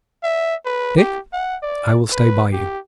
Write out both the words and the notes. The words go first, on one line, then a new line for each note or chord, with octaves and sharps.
Dick, I will stay by you.
E5
B4
G4
F#5
D5
B4
G4